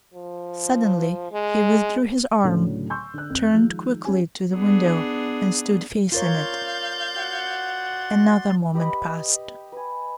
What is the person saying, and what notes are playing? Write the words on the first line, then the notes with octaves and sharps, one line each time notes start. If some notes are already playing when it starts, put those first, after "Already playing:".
Suddenly he withdrew his arm, turned quickly to the window and stood facing it. Another moment passed.
F3
G#3
C#2 A2 D3 F#3 A3
G#5 C6 C#6 E6 G6
D3 F#6
F2
D#3 F3 G#3 D#4
C#4 G4 G#5
B3 D4 G#4
F4 A#4 C#5 D5 F5 C6 G6
F#4 F#5
G4 B4 D#5 B5
B4 G#5